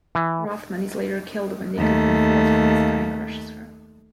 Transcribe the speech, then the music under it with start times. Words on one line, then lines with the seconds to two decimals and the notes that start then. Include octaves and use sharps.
Rothman is later killed when the equipment falls from the sky and crushes her.
0.15 E3
1.78 D#2 A3